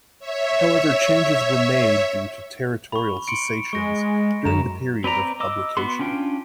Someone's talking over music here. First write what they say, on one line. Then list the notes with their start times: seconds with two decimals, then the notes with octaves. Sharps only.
However, changes were made due to territorial cessations during the period of publication.
0.19 C#5 E5
2.92 B5 C#6
3.28 C6 C#7 D7
3.73 G#3 C#6 A#6
4.45 F#2 A#5 E7
5.04 C4 B4 D5 A#5
5.40 D#5 D6 E6
5.77 B3 F#4 C6
5.99 C#4 D4 F4 G5